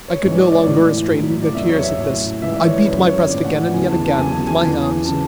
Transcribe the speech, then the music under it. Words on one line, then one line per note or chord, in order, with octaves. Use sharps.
I could no longer restrain the tears, at this; I beat my breast again and yet again, with my hands.
C#5
G#2 E3 C#5
D5
D5
A2 E3
A2 F#3
D5
E2 B2 F#3 E5
C#5
E5
A2 F#3
G#2 E3 E5
D5
C#5
C#5
F#2 C#3 F#3 B4
C#5
A2 E3 D5
F#5
E2 C#3 E3 G#5
A5
A5
A5
E2 C#3 F#3 G#5
A5
G#5
E2 C#3 E3
C#3 E3 A5